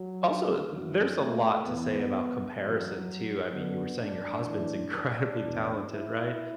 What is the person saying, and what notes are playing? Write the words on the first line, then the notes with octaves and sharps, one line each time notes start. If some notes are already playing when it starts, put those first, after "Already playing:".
also, th there's a lot to say about comparison, too, I mean, you were saying your husband's incredibly talented, right?
Already playing: F#3
F#2 E3 F#3
A3
E2 E3 B3
F#2 E3 F#3
F#2 D3 B3
D4
A2 E3
D4
E2 B2
E4